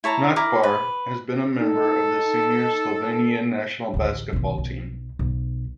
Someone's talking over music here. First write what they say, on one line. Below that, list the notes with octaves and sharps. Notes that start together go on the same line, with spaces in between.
Nachbar has been a member of the senior Slovenian national basketball team.
E4 C#5 A5 A#5
E4 A#4 D6
B4
D#4 A4
A1 D2
B1 D#3
B1
B1